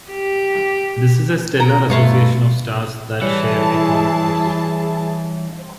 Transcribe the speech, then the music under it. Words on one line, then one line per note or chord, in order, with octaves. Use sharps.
This is a stellar association of stars that share a common origin.
G4
A#5
G2 B2 A3 E4 F4 C#6
E3 G3 E4 G#4 C#5 A5 C#7